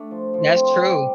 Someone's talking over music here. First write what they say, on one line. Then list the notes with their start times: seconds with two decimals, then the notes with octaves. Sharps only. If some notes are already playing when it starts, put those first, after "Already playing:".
That's true.
Already playing: A3 D4 G4
0.11 F3
0.34 F3
0.56 C4
0.79 G3